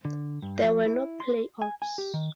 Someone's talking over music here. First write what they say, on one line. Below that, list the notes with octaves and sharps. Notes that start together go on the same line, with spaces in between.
There were no playoffs.
D3
G2
F3
E4
C6
G#5
G#5
G4
D#3